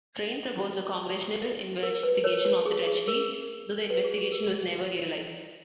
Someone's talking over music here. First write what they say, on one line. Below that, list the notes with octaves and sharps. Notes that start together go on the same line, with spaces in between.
Train proposed a Congressional investigation of the Treasury-though the investigation was never realized.
F#4
A#4
B4
A#4 C#5
B4
G#4
G#4
A#4
B4
G#4
G#4
A#4